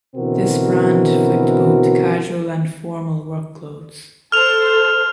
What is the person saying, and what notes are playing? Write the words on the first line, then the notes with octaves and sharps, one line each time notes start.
This brand flipped both casual and formal work clothes.
B2 D3 E3 C4 F#4 A#4
A4 C5 F6 F7